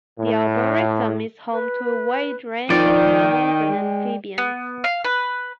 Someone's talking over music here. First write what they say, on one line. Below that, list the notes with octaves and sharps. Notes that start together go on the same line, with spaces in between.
The Arboretum is home to a wide range of mammals and amphibians.
A2
B4
D#3 F3 D5 G5
G#3
B3
F5
B4